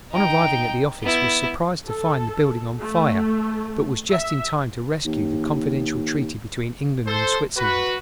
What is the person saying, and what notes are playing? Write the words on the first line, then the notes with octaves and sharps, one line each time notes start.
On arriving at the office was surprised to find the building on fire, but was just in time to rescue the confidential treaty between England and Switzerland.
D#4 G5
B3 E4
A4
A3
E5
D#2
A4 C5
F#4 B4